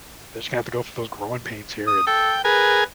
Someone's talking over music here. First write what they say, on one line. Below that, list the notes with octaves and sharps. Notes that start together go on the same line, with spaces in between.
I just gonna have to go through those growing pains here, and,
D#6
A4 G5
G#4 A#4 B4 G#5